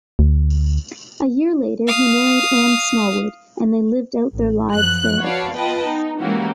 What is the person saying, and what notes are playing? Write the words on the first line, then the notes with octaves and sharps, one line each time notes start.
A year later, he married Anne Smallwood, and they lived out their lives there.
D2
F5 D#6
A1
F#2 F3 F#6
F#4 B4 C#5 D5 F5 A5
B3 F4 B4 D#5 G5 A5
D#4
E3 G#3 A#3 C#4 F#4 G4